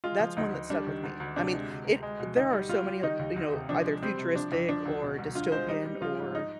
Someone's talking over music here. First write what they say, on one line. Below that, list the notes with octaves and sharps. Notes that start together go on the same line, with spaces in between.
that's one that stuck with me. I mean, i there are so many, you know, either futuristic or dystopian or,
G#3 F4
F3
D2 D#4
D2
G3 D4
D#3
D2
D2
C3 D4
G#3
D2
D2
G#3
B2
D2 D#4
G3
G3 F4
G3
D#3 D#4
D#2
D2
C3
F3 D4
G#3
G3 C4
C3
F3 D4
F2
F3 D4
D2
B2
C2
D3 F4
G#3 C5
G3 D#4
G3
F3 F4
G#2
D#4